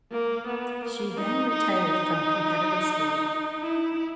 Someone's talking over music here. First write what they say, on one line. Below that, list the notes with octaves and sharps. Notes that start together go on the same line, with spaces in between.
She then retired from competitive skating.
A#3
B3
A#3
D#4
D#4
E4